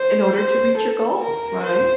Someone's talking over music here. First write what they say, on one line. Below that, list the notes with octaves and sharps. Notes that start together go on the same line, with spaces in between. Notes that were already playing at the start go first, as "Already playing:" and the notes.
In order to reach your goal, right?
Already playing: C5
C5
A4
A#4
C5